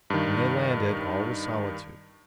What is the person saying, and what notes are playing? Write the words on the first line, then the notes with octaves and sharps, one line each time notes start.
When they landed, all was solitude.
G2 D#3